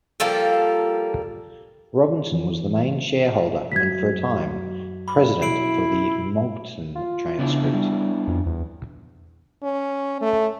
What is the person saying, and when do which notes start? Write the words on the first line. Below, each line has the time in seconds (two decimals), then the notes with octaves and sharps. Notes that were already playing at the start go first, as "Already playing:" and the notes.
Robinson was the main shareholder and, for a time, president for the "Moncton Transcript".
0.20 F3 G3 A#3 A4
2.32 E3
3.72 B1 F#2 G#6 B6
5.08 B5
5.42 B1 E4 C7 D7 F#7
6.95 F4
7.39 C#3 B3 D4 E4
7.74 G3
8.28 F2
8.46 E2
9.63 C#4
10.21 A3